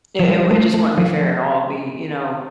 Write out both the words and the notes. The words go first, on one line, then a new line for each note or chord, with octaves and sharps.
It it w it just wouldn't be fair at all. It'd be, you know,
F3
G3
A3
A3
F3